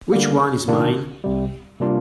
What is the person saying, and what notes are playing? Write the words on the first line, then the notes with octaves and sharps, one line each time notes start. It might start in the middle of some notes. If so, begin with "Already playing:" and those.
Which one is mine?
D3 G3 A#3
C3 D#3 A#3 D4
C2 C3 G3
C3 G3 A#3 D4 F4